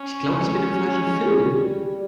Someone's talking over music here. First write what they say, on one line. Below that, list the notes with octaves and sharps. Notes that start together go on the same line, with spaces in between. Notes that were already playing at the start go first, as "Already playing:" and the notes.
Ich glaube, ich bin im falschen Film.
Already playing: C#4
G#3
G3